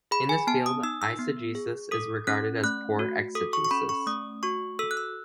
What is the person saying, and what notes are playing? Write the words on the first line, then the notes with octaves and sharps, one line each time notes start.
In this field, eisegesis is regarded as poor exegesis.
G#4 B5
G#5
B3 A5
D#6
D#4 E6
E6
B3
G#4
A4 D#6
C#4 F#6
A3 F#6
F#4
A4 D#6
C#6
C#6
C#4 B5
C#6
A3 D#6
F#4 C#6
A4 E6
F#6
E6